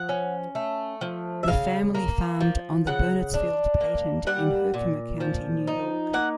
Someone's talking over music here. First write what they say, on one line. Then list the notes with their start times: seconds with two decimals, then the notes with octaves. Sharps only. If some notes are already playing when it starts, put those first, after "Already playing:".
The family farmed on the Burnetsfield Patent in Herkimer County, New York.
Already playing: F3 F#5
0.09 C#4
0.55 A3
1.01 F3
1.43 E5
1.48 C#3 F5
1.95 A#3
2.40 F3
2.87 C#3 F#5
3.34 D4
3.81 A#3
4.27 G3 F#5
4.74 A#2
5.20 F3
5.67 D#4
6.13 A#3 F#5